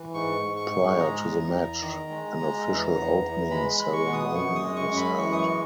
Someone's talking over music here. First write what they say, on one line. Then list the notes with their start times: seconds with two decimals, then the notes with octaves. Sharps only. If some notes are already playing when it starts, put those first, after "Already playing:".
Prior to the match an official opening ceremony was held.
Already playing: E3
0.14 G#2 C#6
0.43 G#2
0.57 C#6
0.70 G#2
0.98 G#3 A#5
1.27 E2
1.55 E2
1.81 D#3
2.10 G#3
2.38 G#3
2.66 E2
2.94 E2
3.22 E2
3.50 G#3 B5
3.72 B5
3.78 G#3
3.93 C#6
4.06 B2
4.13 D#6
4.34 F#2 C#6
4.55 D#6
4.63 G#3
4.76 C#6
4.91 F#2
4.97 B5
5.18 E3 C#6
5.32 D#6
5.39 C#6
5.46 G#3